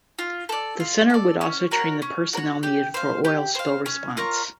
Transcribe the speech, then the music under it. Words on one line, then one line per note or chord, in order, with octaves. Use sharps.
The centre would also train the personnel needed for oil spill response.
F4
A4 D5
F4
A4 D5
C#4
F#4 A#4 C#5
C#4
F#4 A#4 C#5
G4
C5 F5
G4
C5 F5
C#4
F4 A#4 C#5